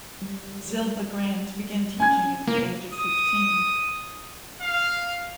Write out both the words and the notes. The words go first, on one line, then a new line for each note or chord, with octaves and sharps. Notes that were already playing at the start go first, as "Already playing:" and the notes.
Zilpah Grant began teaching at the age of fifteen.
G3
C#4 G#5 G#6
C3 A#3
D#6
F5